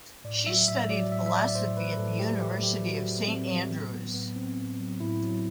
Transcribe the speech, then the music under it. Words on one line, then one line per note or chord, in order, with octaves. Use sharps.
She studied philosophy at the University of St Andrews.
A2 D5
F#3 E5
A2 E5
F#3 D5
A2 E5
E5
F#3 D5
A2 C5
F#3 B4
A2 A4
F#3 G4
A2 G4
F#3 G4
A2 F#4
F#3
A2 C4
F#3
A2 B3
F#3 B3
A2 B3
F#3 C4
A2
F#3
A2 E4
F#3